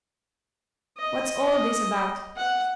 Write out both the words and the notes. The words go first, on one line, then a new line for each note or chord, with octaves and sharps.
'What's all this about?
D#5
F#5